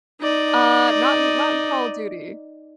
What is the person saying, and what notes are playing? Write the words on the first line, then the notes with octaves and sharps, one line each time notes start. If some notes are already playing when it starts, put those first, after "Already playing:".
Uh, not in not in Call of Duty.
D#4 D5